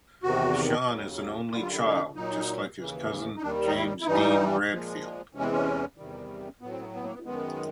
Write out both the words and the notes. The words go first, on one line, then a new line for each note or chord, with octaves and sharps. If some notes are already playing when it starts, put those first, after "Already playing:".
Sean is an only child, just like his cousin James Dean Bradfield.
E2 C3 D#3 F#4
D#2 C#3 F#3
F#2 D3 G3 F4
F4
E4
E4
D#4
A#2 F#3 D#4
D#2 C#3 E3
D#4
D#2 D#3 G3 D4
D#4
E4
E4
G2 E3 G3 D#4
A#2 F3 G#3
E2 C3 E3 G#3 C#4
C4
C#4
E2 C3 D#3 G3
A2 F#3 B3
C4
B3
B3
A#3
B3
F#2 D#3 G#3 B3